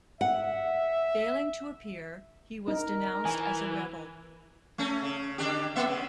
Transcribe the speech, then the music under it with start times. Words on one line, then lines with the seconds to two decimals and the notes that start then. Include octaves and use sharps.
Failing to appear, he was denounced as a rebel.
0.21 E5 F#5
2.68 D#4 A#4
3.25 E3 G#5
4.78 A3 C#4
5.02 C#3
5.38 D3 D4 G4
5.76 A#3 E5
5.87 C#3